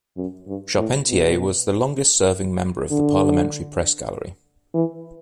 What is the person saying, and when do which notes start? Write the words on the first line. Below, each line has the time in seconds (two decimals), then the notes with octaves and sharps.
Charpentier was the longest-serving member of the Parliamentary Press Gallery.
0.17 F#2
0.47 G2
0.78 A2
1.08 B2
2.91 D3
4.74 E3